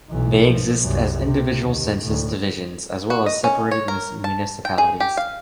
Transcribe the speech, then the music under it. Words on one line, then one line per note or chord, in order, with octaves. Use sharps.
They exist as individual census divisions, as well as separated municipalities.
B1 E3
F3
C2 F#2
C3
D#2
D2 A2
F#4
D#5
C#4
C#5
A#4
A5
G5
G#4
G4
F5